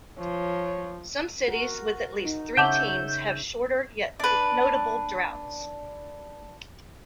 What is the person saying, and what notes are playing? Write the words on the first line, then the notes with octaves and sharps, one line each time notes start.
Some cities with at least three teams have shorter yet notable droughts.
F3 C#5
F#4 A#4
D#4
C#3 C#5 E5 F#5 A5 D6 G6
D4 B4